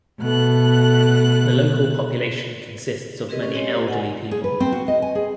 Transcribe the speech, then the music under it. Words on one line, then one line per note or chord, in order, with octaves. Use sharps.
The local population consists of many elderly people.
B2 A3 F#6
C4 G4 G#4 A#4 B4 D#5
C#4 A#4
G#3 C4 F#4 G4 C#5 D#5
C5
F#5 G#5
G#4
B4
C4
F#4
D#5
G#5
G#4